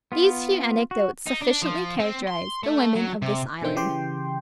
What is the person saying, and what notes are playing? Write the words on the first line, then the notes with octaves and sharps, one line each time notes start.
These few anecdotes sufficiently characterise the women of this island.
B3 F4
F#4
D#4
D4
F3
C4
C6
A3
F#3
C3
B2 D3 D#3 C4 G6
C#3 E3 G4 G5 C6